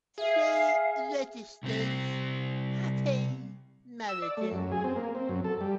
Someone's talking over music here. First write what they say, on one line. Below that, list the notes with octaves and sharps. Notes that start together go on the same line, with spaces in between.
She registers happy marriages.
G#4 E5 F5
C2 C4
E6
D5
A3
F#2
G#4
C4
A#3
C4
F#2
A4
G3